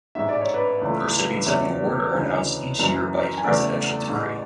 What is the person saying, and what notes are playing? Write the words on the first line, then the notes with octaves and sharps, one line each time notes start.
The recipients of the award are announced each year by presidential decree.
A1 G#2 G#3 E5
D5
C#5
B4 D5
C#2 C#3 E3 A3
E2 C#3 G#3 C#5 E5
D2 C#3 E3 G#3
F#1 F#2 E3
G#5
E2 C#3 E3 A3 D5 F#5
A1 A2 G#3